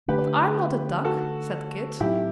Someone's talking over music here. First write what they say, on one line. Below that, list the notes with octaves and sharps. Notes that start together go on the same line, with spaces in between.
"But I'm not a duck," said Kit.
D3 A3 D4 G4 B4
F#4 A4
A2 F#3 C4 E4 G4